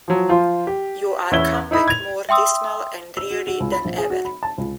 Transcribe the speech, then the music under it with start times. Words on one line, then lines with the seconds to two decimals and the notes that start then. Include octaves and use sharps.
You are come back more dismal and dreary than ever.
0.08 F3 F#3
0.29 F3 F4 C5
0.67 G4
1.31 E2 C#4 E4 E5 G#6 G7
1.71 D#4 E4 B5 D#6
1.88 G#6 F7
2.29 E5 G5 C6 D#6 E6
3.17 E6
3.30 F#4
3.47 F#4
3.60 C#2
3.72 B5
3.85 A#1
3.98 G#4
4.10 F#4
4.25 B5
4.43 A5
4.58 C#2